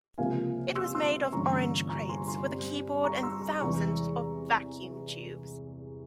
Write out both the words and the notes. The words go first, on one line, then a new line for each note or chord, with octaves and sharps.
It was made of orange crates with a keyboard and thousands of vacuum tubes!
C#2 C3 F3 A#3 F5 G#5
C6 E6
C6 E6
G1 G2 E3 A#3 C#4 A#5 C#6
A#5 C#6
G#5 C6
G#5 C6
G2 G3 C4
A#5 C#6
C6 E6
A#5 C#6
E2 C3 E3 G#3 A#5 C#6